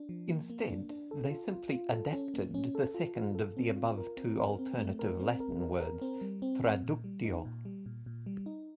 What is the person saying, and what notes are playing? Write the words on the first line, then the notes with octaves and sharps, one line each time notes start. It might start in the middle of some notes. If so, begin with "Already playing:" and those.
Instead, they simply "adapted" the second of the above two alternative Latin words, "traductio".
Already playing: D4
F3
A#3
A#3
D4
D4
A4
F4
F4
F4
A4
C#4
A#3
C#4
A4
F4
F4
A4
C4
F4
A#4
C4
A#4
C4
A3
A#4
C4
A#4
A#4
A#4
C4
G3
C4
C4
A#2
G3
D#4
A#2
G3
A#2
A#2
G3
D#4